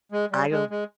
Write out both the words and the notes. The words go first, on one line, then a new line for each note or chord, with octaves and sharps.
I don't
G#3
G3
G#3
G#3